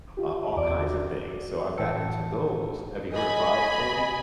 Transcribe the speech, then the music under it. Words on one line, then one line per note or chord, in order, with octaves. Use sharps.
a all kinds of things. So, I’ve gotten into those. Have you heard of vibe coding?
F4 G4
E2 D5 D6 D7
F#4
A2 E3 G5 A5 E6 C#7
D#5 G#5 B5